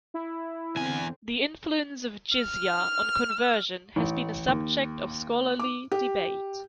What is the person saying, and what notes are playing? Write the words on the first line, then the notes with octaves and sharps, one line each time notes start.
The influence of jizya on conversion has been a subject of scholarly debate.
E4
E2 D3 C4 G#5
F6
A1
D#2
D6
G4